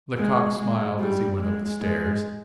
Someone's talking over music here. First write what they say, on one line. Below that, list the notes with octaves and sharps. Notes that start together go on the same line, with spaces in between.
Lecoq smiled as he went up the stairs.
G#3
G#3
G3
G#3
G#3